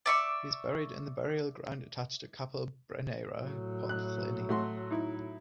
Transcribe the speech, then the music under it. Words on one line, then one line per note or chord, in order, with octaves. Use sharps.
He is buried in the burial ground attached to Capel Brynaerau, Pontllyfni.
D5 E5 C#6
A2 F#3
F#6
A3 F#4 C6
D#4 E4